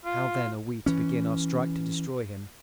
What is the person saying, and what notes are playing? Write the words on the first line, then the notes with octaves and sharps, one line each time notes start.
How then are we to begin our strike to destroy him?
F4
E3 C#4